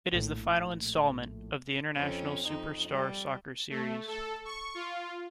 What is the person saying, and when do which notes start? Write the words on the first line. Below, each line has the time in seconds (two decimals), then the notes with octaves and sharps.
It is the final installment of the "International Superstar Soccer" series.
0.12 A#1 A2
1.94 F2 C4 C#4
2.45 F2 D#4
2.89 G3
3.70 A3
4.08 A4
4.45 C#6
4.75 F4